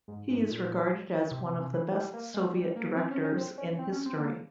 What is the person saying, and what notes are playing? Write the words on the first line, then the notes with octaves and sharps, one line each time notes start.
He is regarded as one of the best soviet directors in history.
G#2
G#2
A#2
C3
C3
C3
E3
G3
A#3
G#3
G3
A#3
C4
C#4
C#4
C4
C#4
C4
C#4
C4
A#3